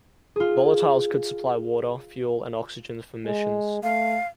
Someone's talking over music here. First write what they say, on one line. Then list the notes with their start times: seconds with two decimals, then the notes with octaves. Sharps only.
Volatiles could supply water, fuel and oxygen for missions.
0.36 F4 G#4
3.25 G#3
3.83 A3 F5